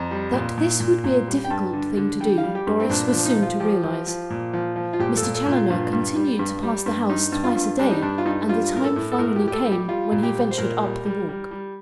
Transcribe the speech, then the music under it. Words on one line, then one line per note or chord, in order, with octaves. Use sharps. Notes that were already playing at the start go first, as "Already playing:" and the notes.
That this would be a difficult thing to do, Doris was soon to realise. Mr. Challoner continued to pass the house twice a day and the time finally came when he ventured up the walk.
Already playing: F2 A#5
G3
A#2
A#2
A#2
A#2
G3
G5
G2 A5
D3
D3
G3 G5
F5
G3
G4
G2
C4
A#2 D4
D4
F3
D#4
F3
F4
F3 G4
F3
F3
A#2
F3
F3
F4
A#2 G4
A4
A#2
A4
A#2
F4
G2
G2
G3
G2
G3
G2
G2 D#4
G2
F4
G2
G3 D4
D#4
G2 D4
F4
G2 D#4
G3 F4
A2 A#4
A4
A2
A4
A2 A#4
G4
A2
G4
A4
G3
G4
G3 F4
A#2
G4
G3
C5
A#2 A#4
G3
G3
G3
G3